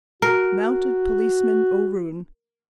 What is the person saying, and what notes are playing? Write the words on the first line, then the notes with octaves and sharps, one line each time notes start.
Mounted Policeman O'Roon.
F#4 A#4